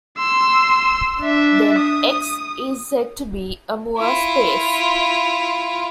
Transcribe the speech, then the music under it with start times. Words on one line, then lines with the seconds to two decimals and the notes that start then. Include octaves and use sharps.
Then "X" is said to be a Moore space.
0.18 C6 E6
1.20 D4 E5
1.79 D#6
3.98 E4 F4